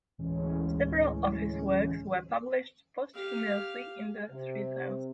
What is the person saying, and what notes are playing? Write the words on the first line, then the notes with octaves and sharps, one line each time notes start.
Several of his works were published posthumously in "The Three Tales".
D2 A2 E3 G#3 C#4
G4 F5
C3